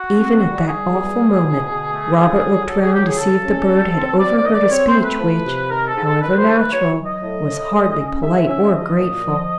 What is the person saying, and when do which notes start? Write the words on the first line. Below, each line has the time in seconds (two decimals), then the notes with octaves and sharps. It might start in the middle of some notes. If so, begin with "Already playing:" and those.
Even at that awful moment Robert looked round to see if the bird had overheard a speech which, however natural, was hardly polite or grateful.
Already playing: F#4
0.15 C4
0.40 G3
0.66 G3 G#4
0.91 E2
1.16 E2
1.42 B2
1.66 D3
1.92 A3
2.18 D3
2.42 F#3
2.68 F#3 A4
2.81 G#4
2.93 F#3 G4
3.06 G#4
3.18 C#3 A4
3.43 C#4
3.68 G3
3.94 C4
4.18 C4 D5
4.36 D5
4.45 D#3 D#5
4.53 D5
4.69 C4 C#5
4.86 C5
4.94 A3
5.03 B4
5.19 F3
5.46 C3
5.70 D#3 A#4
5.87 A4
5.95 G#2
6.04 A4
6.21 D#3 B4
6.37 C5
6.46 D#3
6.55 B4
6.72 F#3 C#5
6.96 F#3
7.05 D#5
7.22 A2
7.47 A2
7.73 G#3
7.98 C#4
8.23 G#3 E5
8.48 C#4 E5
8.73 F3 D#5
8.99 A#2
9.24 F3